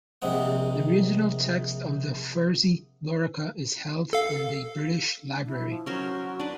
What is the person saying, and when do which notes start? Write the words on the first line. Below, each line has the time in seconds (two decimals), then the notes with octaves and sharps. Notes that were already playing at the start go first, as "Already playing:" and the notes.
The original text of the Fursey Lorica is held in the British Library.
0.22 A#1 C3 G#3 C4 F#5
4.13 A4 F5
5.30 D4
5.47 E4
5.69 F3
5.86 F#3 C#4 A#4 C5
6.40 D4 B4